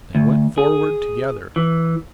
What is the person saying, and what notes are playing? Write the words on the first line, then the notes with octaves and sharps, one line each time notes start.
They went forward together.
D2
G#4
E3